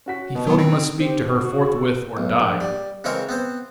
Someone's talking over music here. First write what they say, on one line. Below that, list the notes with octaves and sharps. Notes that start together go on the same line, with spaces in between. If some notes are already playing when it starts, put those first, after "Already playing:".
He felt he must speak to her forthwith, or die.
C#4 F#4 B6
B2
F#3 B3
C4
C4 G4
D3
F#4
A4
B1
A#1
G3
C#3 E3 G#3 C4 A#4 C#5
B3 C4 C5